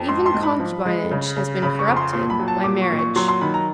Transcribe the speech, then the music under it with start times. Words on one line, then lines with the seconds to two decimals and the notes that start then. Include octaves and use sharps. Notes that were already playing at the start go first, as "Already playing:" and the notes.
Even concubinage has been corrupted--by marriage.
Already playing: F2
0.09 G#2 C6
0.26 C6
0.34 G#2
0.43 B5
0.60 F3
0.86 G#3
1.11 C#3
1.36 C#3
1.62 C#3 B5
1.79 C#6
1.88 F2
1.96 C6
2.13 A#2 C6
2.30 B5
2.39 F#3
2.48 A5
2.64 A#2 D6
2.82 C#6
2.90 A#2
2.99 C#6
3.16 F#3 C6
3.28 C6
3.41 D#3 B5
3.54 A#5